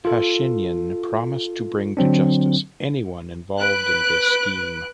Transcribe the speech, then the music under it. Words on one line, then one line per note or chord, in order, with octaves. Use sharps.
Pashinyan promised to bring to justice anyone involved in this scheme.
F4 A4
D3 F#3 C4 D4
B4 F#6 D7